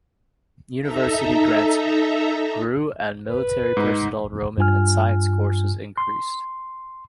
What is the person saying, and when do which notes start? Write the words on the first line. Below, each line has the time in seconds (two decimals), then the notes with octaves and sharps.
University grants grew and military personnel enrollment in science courses increased.
0.81 D#4 A4 E5 A#5
3.27 B4
3.77 G#2 D#4
4.58 G2 F4 G#5 F6
5.98 C6